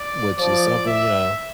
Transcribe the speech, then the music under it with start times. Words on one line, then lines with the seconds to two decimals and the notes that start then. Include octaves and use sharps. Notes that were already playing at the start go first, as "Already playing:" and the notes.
which is something, you know,
Already playing: D5
0.37 F3 D5
0.86 E5